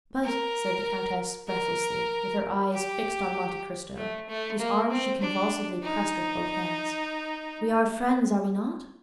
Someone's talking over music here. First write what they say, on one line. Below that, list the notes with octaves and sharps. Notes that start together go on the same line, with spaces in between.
"But," said the countess, breathlessly, with her eyes fixed on Monte Cristo, whose arm she convulsively pressed with both hands, "we are friends, are we not?"
A#4
A#4
G4
A3
A3
A#3
C4
D4
D#4